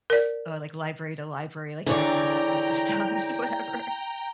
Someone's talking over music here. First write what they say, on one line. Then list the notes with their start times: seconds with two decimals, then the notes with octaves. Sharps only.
like, library-to-library, like, interloan systems, whatever.
0.10 A#4 D5
1.86 D3 E3 E4 G#4 C#5 D5 G5 A#5